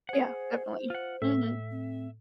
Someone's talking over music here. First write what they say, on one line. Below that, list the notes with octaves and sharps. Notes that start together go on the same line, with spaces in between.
Yeah. Definitely. Mhm.
G#4 C5 F#5
F4 F#5
A2 E5
C4